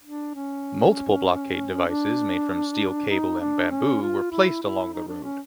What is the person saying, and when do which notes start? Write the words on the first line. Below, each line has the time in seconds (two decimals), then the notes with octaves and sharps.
Multiple blockade devices made from steel cable and bamboo were placed along the road.
0.04 D4
0.34 C#4
1.88 D4
3.10 D#4
3.40 D4
3.71 C#4
4.02 F4
4.32 E4
4.62 E4
4.93 D#4
5.08 D4
5.24 C#4